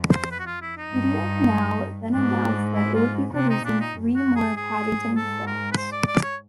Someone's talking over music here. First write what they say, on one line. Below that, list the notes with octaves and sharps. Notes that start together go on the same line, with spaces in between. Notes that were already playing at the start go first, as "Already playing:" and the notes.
StudioCanal then announced that it would be producing three more "Paddington" films.
Already playing: F2
C5
B4
F#4
F4
E4
D#4
G2
G#2 D4
E4
F4
C3 D4
D#4
A#2 D4
D#4
F#2
F#4
F#2
G#4
G#2 G#4
A4
A#4
B4
C5
D5
D5
C#5